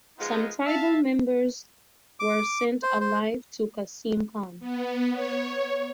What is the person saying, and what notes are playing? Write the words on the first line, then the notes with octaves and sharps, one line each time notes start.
Some tribal members were sent alive to Qasim Khan.
F3 G#3 B3 D#4 F4
E5 F5 A5
D6
C5
C5
B3
C#5